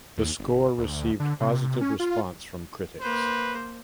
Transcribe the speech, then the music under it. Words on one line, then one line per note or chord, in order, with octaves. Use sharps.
The score received positive response from critics.
D#2
G1
D2
D3
C3
C#4
F4
A#3 B4 C5